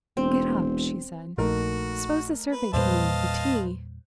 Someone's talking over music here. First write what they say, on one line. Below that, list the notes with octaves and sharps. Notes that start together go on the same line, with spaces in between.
"Get up," she said; "suppose the servant came in with the tea?"
E1 C4
A#1 A3 D#4 F#4 A#4
B4
E2 A#2 G3 B4 C5 D#5 F5 A5